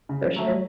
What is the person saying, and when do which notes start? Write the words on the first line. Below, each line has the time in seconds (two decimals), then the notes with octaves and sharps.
for sure.
0.09 C#3
0.36 F#3 A3